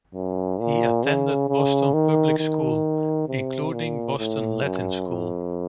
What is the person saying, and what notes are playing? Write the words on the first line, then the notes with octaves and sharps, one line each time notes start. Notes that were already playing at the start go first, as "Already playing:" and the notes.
He attended Boston public schools, including Boston Latin School.
F#2
A#2
C#3
C#3
D#3
D#3
C3
A#2
A2
F#2
F2